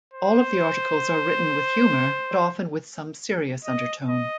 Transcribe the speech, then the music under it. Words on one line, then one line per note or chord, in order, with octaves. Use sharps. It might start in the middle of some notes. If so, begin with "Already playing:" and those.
All of the articles are written with humour but often with some serious undertone.
C5
D#5
D#5